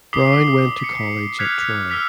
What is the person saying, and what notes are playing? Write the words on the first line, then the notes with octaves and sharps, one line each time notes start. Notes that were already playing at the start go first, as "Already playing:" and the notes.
Brown went to college at Troy.
D6 D#6 B6 C7 G7
B6 C#7
F6 F#6 G#6 B6 C#7 F7
E6 F6 B6 F7